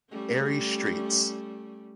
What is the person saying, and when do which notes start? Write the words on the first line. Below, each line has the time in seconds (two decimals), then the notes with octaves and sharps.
Airy Streets.
0.10 G3 A3 C#4